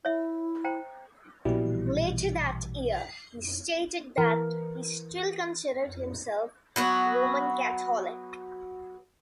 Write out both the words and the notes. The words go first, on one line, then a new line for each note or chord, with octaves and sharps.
Later that year, he stated that he still considered himself a Roman Catholic.
E4 C#5 E5
C5 G5 A#5
A#1 B2 E3 G3
E3 A#4
F#3 B3 F#4